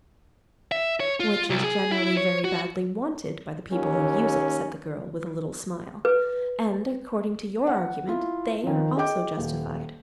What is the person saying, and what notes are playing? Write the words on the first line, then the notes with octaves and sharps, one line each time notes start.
"Which is generally very badly wanted by the people who use it," said the girl, with a little smile, "and, according to your argument, they are also justified."
E5
C#5
F4
C2
G#4
E4
C#5
F#4
D#2 C#4
B4
F#5
E4 F4
D#3 F3
G#4 D#5 G5 D6 G6
D#1